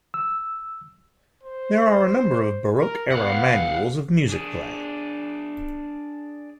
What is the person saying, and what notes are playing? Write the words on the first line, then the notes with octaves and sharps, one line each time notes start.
There are a number of Baroque-era manuals of music playing.
E6
C5
A#4
B3 F5 F#5
D4 G#4